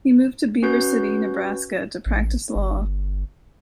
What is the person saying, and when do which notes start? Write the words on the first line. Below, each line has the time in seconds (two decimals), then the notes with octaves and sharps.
He moved to Beaver City, Nebraska to practice law.
0.63 C#4 F#4 B4 G6
2.06 A1
2.55 G1